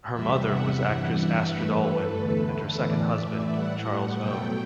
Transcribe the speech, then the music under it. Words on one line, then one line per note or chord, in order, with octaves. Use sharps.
Her mother was actress Astrid Allwyn and her second husband, Charles O.
E2 C3 G3 E5
F#5
G2 E3 G3
E5
G2 E3 A3 B4
A4
E2 D3 A3 B4
A2 E3 A3 D5
E5
A2 G3 F#5
F#5
B2 F#3 A3 G5